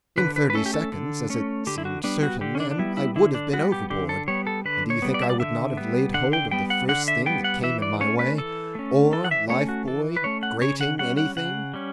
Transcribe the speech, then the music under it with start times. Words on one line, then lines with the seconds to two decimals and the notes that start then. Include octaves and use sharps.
In thirty seconds, as it seemed certain then, I would have been overboard; and do you think I would not have laid hold of the first thing that came in my way--oar, life-buoy, grating--anything?
0.18 D3 B4
0.36 B4
0.50 B4
0.55 A3 C#4 A4
0.66 G4
0.74 A4
0.92 D3
1.30 A3 C#4
1.67 D3 G4
1.78 E4
1.85 F#4
2.04 G3 B3 D4
2.23 F#4
2.41 D3 G4
2.55 C#4
2.60 D4
2.71 D4
2.78 G3 B3 E4
2.97 E4
3.16 D3 E4
3.34 D4
3.53 G3 B3 F#4
3.72 G4
3.90 D3 G4
4.09 A4
4.28 G3 B3 C#5
4.47 A4
4.65 D3 B4
4.90 C#5
5.02 G3 B3
5.14 D5
5.22 E5
5.30 D5
5.39 D3 E5
5.77 G3 B3
6.14 D3 F#5
6.33 G5
6.51 G3 B3 G5
6.70 F#5
6.89 D3 F#5
7.08 E5
7.26 G3 B3 G5
7.44 F#5
7.63 E3 E5
7.82 D5
8.00 A3 C#4 C#5
8.19 B4
8.38 E3 A4
8.75 A3 C#4
9.13 E3 A4
9.24 F#5
9.31 E5
9.49 A3 C#4 C#5
9.69 F#4
9.87 E3 A4
10.16 B4
10.24 A3 C#4 C#5
10.43 F#5
10.62 C#3 C#5
10.81 F#5
10.99 G3 C#4 F#5
11.17 F#5
11.37 C#3 F#5
11.74 G3 C#4